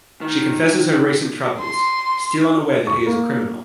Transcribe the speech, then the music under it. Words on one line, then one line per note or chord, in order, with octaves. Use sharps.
She confesses her recent troubles, still unaware that he is a criminal.
D#3
C6
C#6
A#3